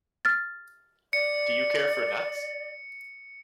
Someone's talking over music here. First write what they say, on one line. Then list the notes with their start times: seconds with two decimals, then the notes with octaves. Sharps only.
Do you care for nuts?
0.25 F6 A6
1.13 D5 C#7